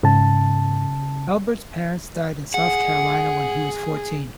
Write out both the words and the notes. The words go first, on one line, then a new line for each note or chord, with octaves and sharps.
Elbert's parents died in South Carolina when he was fourteen.
G#2 C#3 A5
G#4 F#5